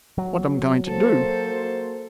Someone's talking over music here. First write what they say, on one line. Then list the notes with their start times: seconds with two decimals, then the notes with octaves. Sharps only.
"What um going to do?"
0.18 F#3
0.86 A#3 F#4 A4 C5